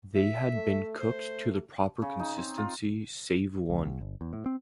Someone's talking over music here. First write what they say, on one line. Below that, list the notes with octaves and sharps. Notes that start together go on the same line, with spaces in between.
They had been cooked to the proper consistency save one.
E5
A3
A3 C5
C#3
D#4
C4
F4
C#2
C2
G1
E2
A2
C4